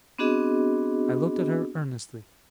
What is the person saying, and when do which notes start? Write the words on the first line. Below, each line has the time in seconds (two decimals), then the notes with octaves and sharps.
I looked at her earnestly.
0.19 B3 C4 D4 F#4 G#4 D#5